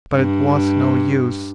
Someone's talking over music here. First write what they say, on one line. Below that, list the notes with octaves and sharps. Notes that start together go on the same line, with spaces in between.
But it was no use.
G2